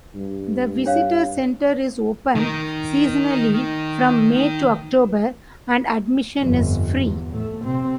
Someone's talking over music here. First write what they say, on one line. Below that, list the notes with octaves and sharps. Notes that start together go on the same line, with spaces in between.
The Visitor Center is open seasonally from May to October, and admission is free.
G2
D4 C#5 F5
D#3 A#4
G1 F2
E2
A2 A3
C3 C4